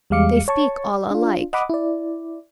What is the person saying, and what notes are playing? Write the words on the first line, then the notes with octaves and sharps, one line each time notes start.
They speak all alike.
E2 G3 G#3 F5 D6 C#7
C#5 A5 C#6
D4 F4
D#5 F#5 B5 D6 D#6
E4 D5